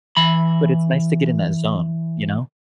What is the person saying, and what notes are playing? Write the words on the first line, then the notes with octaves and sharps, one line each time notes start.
But, it's nice to get in that zone, you know?
E3 B5